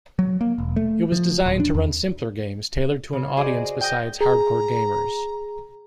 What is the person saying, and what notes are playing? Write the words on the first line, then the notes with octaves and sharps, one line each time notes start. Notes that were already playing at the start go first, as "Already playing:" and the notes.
It was designed to run simpler games tailored to an audience besides 'hardcore gamers'.
F#3
A#3
E1
A3
F3
D#1
D4
E2
C#3
F#4 G#4 C5 D5 D#5
G5 D#6 A#6
G#4 A#5